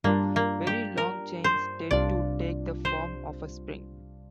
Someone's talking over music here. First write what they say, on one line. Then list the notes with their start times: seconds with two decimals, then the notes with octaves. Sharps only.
Very long chains tend to take the form of a spring.
0.04 G2 G3 A#3 D4 F4
0.36 A#3
0.67 G4
0.98 A#4
1.44 C5
1.91 C2 C3 G3 D4 F4 D5
2.85 C5